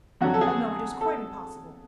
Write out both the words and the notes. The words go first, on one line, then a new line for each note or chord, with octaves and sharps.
Oh, no, it is quite impossible.'
F2 D3 F#3 F#4
A4
G#4
F#4
A4